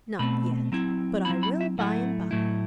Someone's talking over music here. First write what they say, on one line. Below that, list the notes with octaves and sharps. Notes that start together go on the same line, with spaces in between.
'Not yet; but I will by and by.'
B2 A3 C4 B5
F#3 C4 E4
F#3 C4 E4 B5
B5
E5
A2 F#3 A3 E4 F#5
A2 F#3 A3 E4